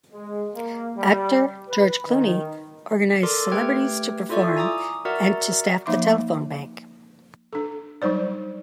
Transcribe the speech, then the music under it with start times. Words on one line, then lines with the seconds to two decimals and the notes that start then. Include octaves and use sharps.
Actor George Clooney organized celebrities to perform and to staff the telephone bank.
0.13 G#3
0.55 A#3
0.97 G3
1.69 B4
2.08 D#3
3.23 A4 A#4 D5 C6 D6
3.51 A3 G4 B4 G5 F6 G#6
4.29 E4 F4 A4 D5 E5 C#6
4.57 G#5 A#5 D6 D#6
5.05 F#4 A#4 D5 E5 F#5 A#5
5.86 F3 A#3 D#4 E5 C6 D6
7.53 D4 A4
8.02 F#3 G3 D#4 C5 D5